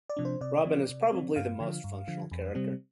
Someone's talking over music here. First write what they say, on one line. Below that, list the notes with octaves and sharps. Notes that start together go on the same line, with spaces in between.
Robyn is the probably the most functional character.
D5
C3 F3 D4
C5
C3 D5
F3 C4
C3
F3 C4
G2 F5
D3 F3
G2
D3 F3
F2
C3 G3 C4